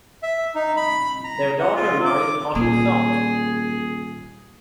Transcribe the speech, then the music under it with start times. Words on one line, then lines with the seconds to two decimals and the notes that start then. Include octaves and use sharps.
Their daughter married Otto Thott.
0.23 E5
0.55 D#4
0.77 B5
1.24 A#5
1.59 F#5
1.75 F4
2.05 D6
2.55 D#1 A#2 G#4